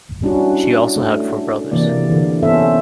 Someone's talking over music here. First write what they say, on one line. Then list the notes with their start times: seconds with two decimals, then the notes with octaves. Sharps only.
She also had four brothers.
0.22 G3 C#4 D4 E4 F#4
0.96 A3
1.71 C3 E3 A#3 D5
2.10 D3 E3
2.42 B3 C#4 A4 C5 E5 F5